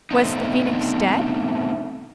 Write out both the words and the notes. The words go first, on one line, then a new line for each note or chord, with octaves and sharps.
Was the Phoenix dead?
A3 B3 C4 D4 D#4